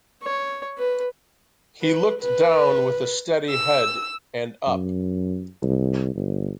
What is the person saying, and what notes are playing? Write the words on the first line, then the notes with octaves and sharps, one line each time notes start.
He looked down with a steady head, and up.
C#5
B4
B4
B4
E6
F#2
C2
G1